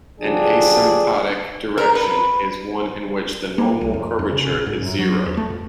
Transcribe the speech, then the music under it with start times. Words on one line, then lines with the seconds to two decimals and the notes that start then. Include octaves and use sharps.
An asymptotic direction is one in which the normal curvature is zero.
0.20 B1 D3 F3 D4 G4 G#4
1.78 A#4
1.95 B4
3.58 A#3
3.81 C2
3.94 F2
4.19 F2
4.32 C#3
4.51 A#1
4.66 G#2
4.82 F#2
4.99 F#3
5.26 E2
5.37 A3
5.50 F2